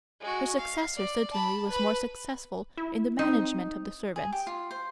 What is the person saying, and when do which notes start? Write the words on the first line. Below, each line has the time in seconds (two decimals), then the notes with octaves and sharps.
Her successor certainly was more successful in the management of the servants.
0.20 G#3 F#4
0.57 F5
0.97 D5
1.32 A5 B5
1.69 B4 B5
2.77 E4
3.19 C4 D#4
4.16 G#4
4.33 G4
4.47 F4
4.71 C5